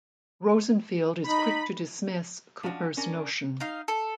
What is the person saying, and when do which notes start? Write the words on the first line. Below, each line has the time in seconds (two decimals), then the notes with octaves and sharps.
Rosenfield is quick to dismiss Cooper's notion.
1.24 D#4 B5
2.63 F3 C#4 D4 F4 F#4
2.97 C#4 D4 A#4
3.60 D#4 F5
3.88 A4